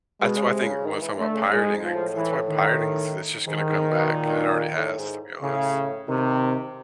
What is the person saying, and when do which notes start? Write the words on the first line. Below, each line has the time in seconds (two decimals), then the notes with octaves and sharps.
That's what I think when I'm talking about pirating, like That's why pirating is it's just gonna come back and it already has to be honest, yeah.
0.21 B2 G#3
0.37 C#3
0.43 C3
0.64 C#3
0.86 D#3
1.02 E3
1.18 D3 A3
1.35 C#3
1.51 G#2 G#3
1.72 G#2
1.83 F3
1.95 A2
2.16 E3
2.49 D#3
3.47 G#2 D#3
3.69 G#2
3.90 B2
4.12 A#2
4.77 A2
4.99 G#2
5.42 A2 C#3
6.08 C3 D#3